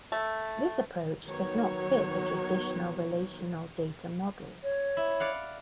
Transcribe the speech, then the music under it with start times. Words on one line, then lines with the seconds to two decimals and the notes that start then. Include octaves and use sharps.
This approach does not fit the traditional Relational Data Model.
0.12 A3
1.25 D#3 F#3 B3 C#5
4.63 C#5
4.97 E4
5.20 D5 F5 F#5